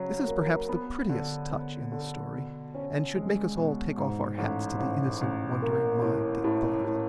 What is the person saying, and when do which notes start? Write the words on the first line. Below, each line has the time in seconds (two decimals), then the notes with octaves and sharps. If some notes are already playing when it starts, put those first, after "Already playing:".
This is perhaps the prettiest touch in the story and should make us all take off our hats to the innocent wondering mind that thought of it.
Already playing: C#3 F#3
0.27 A#3
0.69 B3
1.10 D3
1.50 B3
1.92 D3
2.33 B2
2.74 C#4
3.15 G#3
3.56 B2
3.98 G#2
4.38 A1
4.79 A1
5.21 A1
5.62 A#3
6.02 A2
6.44 A2
6.84 A2